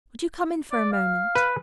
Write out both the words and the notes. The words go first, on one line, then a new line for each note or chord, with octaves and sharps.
Would you come in for a moment?
D5
F5
B4